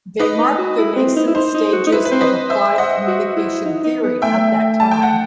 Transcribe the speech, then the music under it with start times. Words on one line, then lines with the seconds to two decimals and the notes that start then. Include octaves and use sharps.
They marked the nascent stages of applied communication theory at that time.
0.19 D#4 B4 D#5
0.39 D#4
0.58 F#4
0.78 E4
0.96 C4
1.16 D#4
1.27 E4
1.35 D#4 C5
1.54 D#4
1.73 F#4
1.87 D#4
1.92 E4 B4
2.05 B4
2.11 C4 C5
2.21 B4 D#5
2.50 C5 E5
2.78 D#5 F#5
3.08 F#4
3.36 E4
3.65 D#4
3.84 D#4
4.03 B3
4.22 A3 E5 G5
4.80 A5
4.91 G5
5.03 F#5